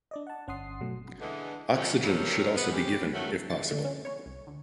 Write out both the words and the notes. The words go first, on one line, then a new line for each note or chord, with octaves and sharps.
Oxygen should also be given if possible.
D4 D5 D#5
F#5 A5
G1 C#4 F#5 C6 D#6 C7
B2 F#3 A3
D3 E3 G#3
F2 C#4
G2 G3 A4 A#4 C5 C#5
B3
C#4 G4
D#3 F3 F#3 A3 C#4 F#4
A6
D3
C#4
C#5
C2
D2